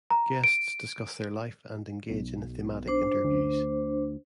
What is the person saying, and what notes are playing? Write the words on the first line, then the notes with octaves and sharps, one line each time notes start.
Guests discuss their life and engage in thematic interviews.
A#5
D7
B1
D4 C5
D2